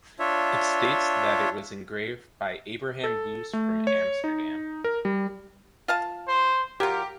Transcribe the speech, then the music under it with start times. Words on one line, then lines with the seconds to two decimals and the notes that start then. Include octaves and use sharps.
It states that it was engraved by Abraham Goos from Amsterdam.
0.19 D4 F4 C#5 E5
3.04 A4
3.53 A3
3.87 C#5
4.24 D#4
4.84 A#4
5.05 G3
5.88 F4 F5 A5
6.28 C5
6.80 F#3 F4 G4 A#4